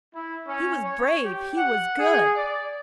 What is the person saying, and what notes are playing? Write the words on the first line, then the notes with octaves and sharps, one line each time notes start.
"He was brave, he was good!"
E4
C#4
C#5
G4
F#5
G#4
D5